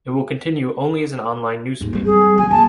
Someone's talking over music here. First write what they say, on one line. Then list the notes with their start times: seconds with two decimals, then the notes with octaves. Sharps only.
It will continue only as an online newspaper.
1.81 D#2 G#2
1.93 G3 C4
2.06 G#4
2.38 D#3 F#3 G#5
2.51 D#3 A#3 A5